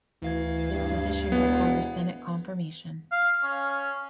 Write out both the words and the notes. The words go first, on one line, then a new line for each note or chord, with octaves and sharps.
This position requires Senate confirmation.
D2 E3 F5 G#6
G2
E1 B3
F5
C#4